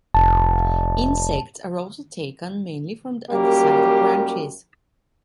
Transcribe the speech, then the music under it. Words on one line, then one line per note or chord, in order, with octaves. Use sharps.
Insects are also taken, mainly from the underside of branches.
F1 A5
F#2 G3 A#3 G4